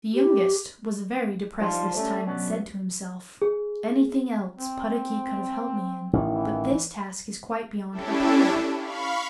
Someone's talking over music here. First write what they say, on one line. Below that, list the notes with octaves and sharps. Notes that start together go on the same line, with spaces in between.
The youngest was very depressed this time and said to himself, 'Anything else Puddocky could have helped me in, but this task is quite beyond her power.
G4
F3 G3 D4 D#4 F4
G3 A3 C#4
B2 F#3 B3 C#4
G#4
C4
A1 D#3
E3
C#4 D4 E4 G4 A4
F5 B5 C#6